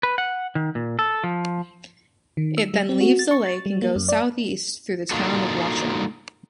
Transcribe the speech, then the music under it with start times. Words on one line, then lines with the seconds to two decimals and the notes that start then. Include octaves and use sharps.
It then leaves the lake and goes southeast through the town of Watchung.
0.03 B4
0.18 F#5
0.55 D#3
0.75 A#2
0.99 A4
1.24 F3
2.37 D#3
2.57 E6
2.74 G3
2.89 C4
3.01 F#4
3.19 A6
3.31 C#6
3.46 A6
3.66 G3
3.82 A#3
3.96 F#2
4.08 D5
5.11 A#3 D4 D#4 F4 F#4 A4